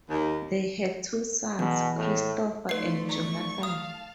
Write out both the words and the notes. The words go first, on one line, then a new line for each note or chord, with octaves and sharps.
They had two sons, Christopher and Jonathan.
D#2
E2 B2
A2
F3 A3 D#4 B4 D5 C6 C7
C#6
F5 A5 D#6